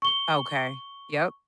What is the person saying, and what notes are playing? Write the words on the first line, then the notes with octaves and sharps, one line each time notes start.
Okay, yep.
C#6 G7